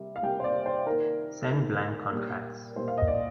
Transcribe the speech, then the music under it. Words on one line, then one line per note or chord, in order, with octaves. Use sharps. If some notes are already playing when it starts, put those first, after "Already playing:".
Send blank contracts.
Already playing: C3 G3 A#3
F5
C3 G3 A#3 G5
C5
D5
C5
D#3 A#3 A#4
D#3 A#3
A#2 G3 A#3
A#2 G3 A#3 C5
F5
D#5
D5